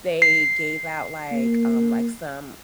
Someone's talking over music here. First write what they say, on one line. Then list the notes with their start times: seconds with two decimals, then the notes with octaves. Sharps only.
they gave out, like, um, like, some
0.22 C7
1.31 A#3